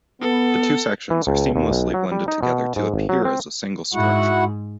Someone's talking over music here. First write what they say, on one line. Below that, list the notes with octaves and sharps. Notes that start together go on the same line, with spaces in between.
The two sections are seamlessly blended together to appear as a single structure.
B3 A4
E3
C#2
D#2
B1
F#3
G3
D#4
B2
G#2
G#1
F#3
C4
G#2 E4 F#4 F#5